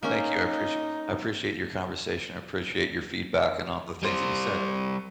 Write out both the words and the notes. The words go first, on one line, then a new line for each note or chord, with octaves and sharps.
Thank you, I apprecia I appreciate your conversation. I appreciate your feedback and all the things that you said.
A#3 C#4 D#4
G3 C5